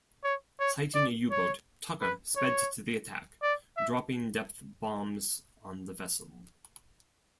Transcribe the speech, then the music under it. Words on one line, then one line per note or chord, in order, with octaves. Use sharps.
Sighting a U-boat, "Tucker" sped to the attack, dropping depth bombs on the vessel.
C#5
C#5
D5
C#5
B4
C#5
D5
E5